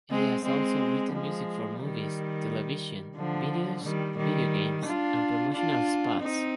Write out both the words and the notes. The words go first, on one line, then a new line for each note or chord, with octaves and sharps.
He has also written music for movies, television, videos, video games and promotional spots.
G#3 C4
G#3 C4
F3 G#3
D#3 G3
D3 F3
D#3 G3
D#3 G3
D4 F4
D4 F4
C4 D#4